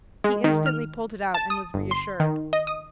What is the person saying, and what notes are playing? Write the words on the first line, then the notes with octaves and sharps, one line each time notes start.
He instantly pulled it out and was reassured.
G#3
D#3
F6
A5
D#6
G1
C6
D#3
D#5
D#6